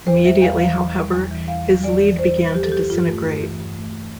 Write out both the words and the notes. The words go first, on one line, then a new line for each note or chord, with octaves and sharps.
Immediately, however, his lead began to disintegrate.
E2 C5
G3 E5
E2 F5
E3 F5
E2
G3
E2
E3
E2 F5
G3
E2 D5
E3
E2 C5
G3
E2 G4
A4
E3 G4
G2 F4
A3
G2
E3
G2
A3